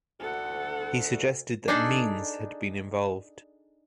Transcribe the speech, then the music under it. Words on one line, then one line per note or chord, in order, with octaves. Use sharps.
He suggested that Means had been involved.
D2 A4 F#5
D4 D#4 G#4 A4 D5